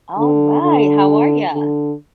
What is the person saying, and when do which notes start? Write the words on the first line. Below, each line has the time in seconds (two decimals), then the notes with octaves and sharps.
All right, how are ya?
0.18 D3
0.62 D3
1.53 D3